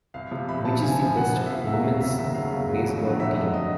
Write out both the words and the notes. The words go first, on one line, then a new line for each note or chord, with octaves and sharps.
Which is the best women's baseball team?
C2 F5
C3 F3
C2 B5
C3 F3 A5
C2 G#5
C3 F3 G#5
C2 F#5
C3 F3
E5
D#2 F5
C#3 F#3 E5
D#2 F5
C#3 F#3 E5
D#2 E5
C#3 F#3 F5
D#2
C#3 F#3
F2
D3 F#3
F2 E5
D3 F#3
D#5